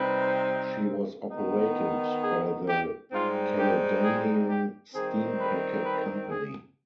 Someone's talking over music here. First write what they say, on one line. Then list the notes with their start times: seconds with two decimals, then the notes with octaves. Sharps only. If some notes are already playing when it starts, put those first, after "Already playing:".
She was operated by the Caledonian Steam Packet Company.
Already playing: C3 G3 C4 D#4 B4
1.31 D#3 B3 D#4
2.21 G#4
2.67 G4
3.12 G#2 G3 C4 D#4 F4
3.58 G4
4.03 G#4
4.48 G4
4.93 D#3 G3 C4 D#4 G#4
5.39 B4
5.84 B4
6.29 G#4